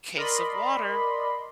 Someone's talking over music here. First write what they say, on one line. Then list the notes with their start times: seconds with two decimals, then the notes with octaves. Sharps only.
case of water
0.17 A#4 D5 D#5 B5 C6